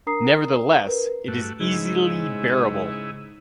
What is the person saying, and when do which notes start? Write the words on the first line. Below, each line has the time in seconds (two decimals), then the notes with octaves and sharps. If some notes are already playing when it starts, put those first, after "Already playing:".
Nevertheless, it is easily bearable.
0.07 D4 A#4 A#5 D#6 C7
0.87 A#4 B4
1.28 G2 A3 F#4
1.60 G#2 C#3 E4 G#4